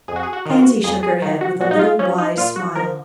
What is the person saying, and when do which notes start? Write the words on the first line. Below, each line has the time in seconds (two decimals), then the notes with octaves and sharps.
Pansy shook her head with a little wise smile.
0.08 F2 G#4
0.16 F#4
0.23 G#4
0.33 F#4
0.45 D#3 F4
0.59 F#4
0.84 F2 G#4
1.03 G#4
1.22 D#3
1.41 F#4
1.60 A#2 F#4
1.71 D#4
1.79 F4
1.99 F3 C#4
2.18 D#4
2.37 A#2 F4
2.56 F#4
2.75 F3 A#4